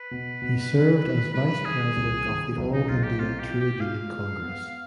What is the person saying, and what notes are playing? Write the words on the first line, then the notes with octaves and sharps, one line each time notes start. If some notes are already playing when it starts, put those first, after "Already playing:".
He served as vice president of the All India Trade Union Congress.
Already playing: B4
B2
B2
D#3
D#3
G3 B4
D#3 G#4
C2
D#3
B1
D#4
B1 F4
G4
C4 F4
G4
F4
G4
F4 F5
G#3
B3